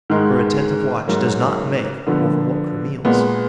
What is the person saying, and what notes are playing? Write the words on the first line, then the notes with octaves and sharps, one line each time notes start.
Her attentive watch does not make her overlook her meals.
G#2 D#3 G#3
G#2 F#3 A#3
D3 F3 B3
A#2 G#3 B3